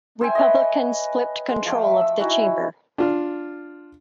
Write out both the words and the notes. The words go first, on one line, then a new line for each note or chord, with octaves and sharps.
Republicans flipped control of the chamber.
C5 E5 G5 G#5
B4 C#5 D#5
G#3
F3 A3 G5
E6
D#4 E4 F#4 G#5
D4 F4